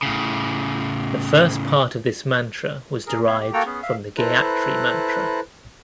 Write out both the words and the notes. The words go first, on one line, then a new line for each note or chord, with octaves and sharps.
The first part of this mantra was derived from the Gayatri Mantra.
A2 C#3
G#4 A#4
B3 E4 C#5 E5 F5
G4
A#3 F#4 A4 G5 A#5
B3 C#4 G#4
E5 F5
E4 A4 B4 C5 A#5 F#6